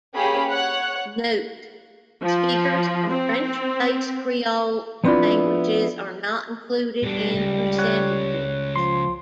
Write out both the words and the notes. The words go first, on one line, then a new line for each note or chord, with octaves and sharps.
Note: speakers of French-based creole languages are not included in percentages.
A#3 C#4 G4 G#4 C#5 B5
C#5 F#5 F#6
F3
C4
F3 B3 C4 D4 E4 F4
B2 G3 D4
C#2
C#5 F#5
F3 C6